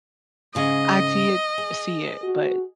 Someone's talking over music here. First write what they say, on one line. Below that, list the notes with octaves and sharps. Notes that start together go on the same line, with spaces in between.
I did see it but
G#2 C#3 G#4 D#5
G#4
F#4